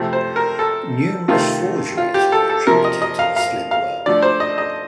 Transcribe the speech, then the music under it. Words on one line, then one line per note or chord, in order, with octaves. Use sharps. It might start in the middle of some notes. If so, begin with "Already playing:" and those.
Numerous forgeries were attributed to the slim work.
Already playing: C3 F3 A3 C4
C5
A#4
A4
C3 D#3 A3 C4 F4
F4
G4
A4
A4
C3 F3 A#3 A#4
D#5
D#5
F5
F5
F5
D3 F3 A3 D5
C5
D#5
D#5